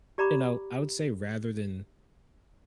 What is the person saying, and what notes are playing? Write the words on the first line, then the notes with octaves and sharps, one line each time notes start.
you know, I would say rather than
G4 D5 A#5 B5 D6